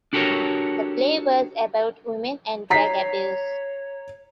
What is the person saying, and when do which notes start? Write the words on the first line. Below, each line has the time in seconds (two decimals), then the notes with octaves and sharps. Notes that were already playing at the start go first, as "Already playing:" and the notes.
The play was about women and drug abuse.
0.13 D4 F#4 G4 A4 A#4 C#5
2.70 C#5 A#5 B6 C7